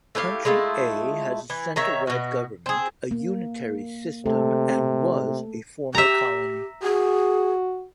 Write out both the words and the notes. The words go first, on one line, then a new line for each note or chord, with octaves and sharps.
Country A has a centre-right government, a unitary system and was a former colony.
A3 E4 G4 F5
G#3 A3 E4 F4
E3
D#3 A#4 C#5 E5
B2 F#4
C4 G#4
A#3
C3 A3 A4
G4 E5 A#5
F#4 G#4